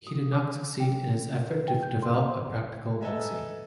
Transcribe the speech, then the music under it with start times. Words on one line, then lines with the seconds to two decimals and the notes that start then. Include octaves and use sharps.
He did not succeed in his effort to develop a practical vaccine.
0.07 D#6
0.32 D6
0.80 G5
1.50 B4
1.68 G5
1.83 G6
2.03 C6
3.01 A4 B4 D#5 E5 G#5 A#5